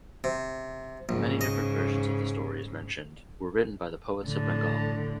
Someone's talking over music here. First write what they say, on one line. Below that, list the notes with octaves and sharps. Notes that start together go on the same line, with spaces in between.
Many different versions of the stories mentioned were written by the poets of Bengal.
C3
A#1 G#2 C#3
D#5
A2 D3